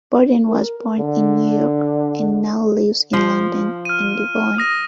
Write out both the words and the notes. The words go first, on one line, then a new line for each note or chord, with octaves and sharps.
Borden was born in New York and now lives in London and Devon.
A#4
D3
F3
F6 D#7
D#6 A#6 D#7